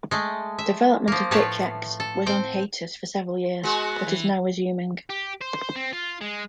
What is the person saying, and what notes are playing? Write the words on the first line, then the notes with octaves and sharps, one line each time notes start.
Development of BitchX was on hiatus for several years but is now resuming.
G#3 A3
E5
F3 A#3
A2 A3 B4 C#5 A5
A4
C4 C5 G5
G#3 B3 F#4
E3
G4
C5
C4
F4
G#3